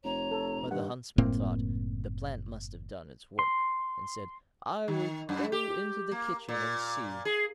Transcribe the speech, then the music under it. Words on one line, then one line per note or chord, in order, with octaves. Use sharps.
But the Huntsman thought: 'The plant must have done its work,' and said: 'I will go into the kitchen and see.'
F1 C#5 A#5
A4
G2 D#3 F#5
F#1 A2 A#3 C4
C6
D#3
F#2
G4
A#3
A#2
G#4